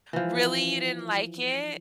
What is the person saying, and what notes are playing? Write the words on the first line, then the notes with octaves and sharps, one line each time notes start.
Really, you didn't like it?
E3 F3